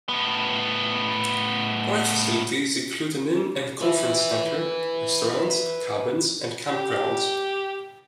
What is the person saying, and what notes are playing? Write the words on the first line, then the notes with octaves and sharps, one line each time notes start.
Park facilities include an inn and conference center, restaurant, cabins, and campgrounds.
A2 B3
B4 E5
G4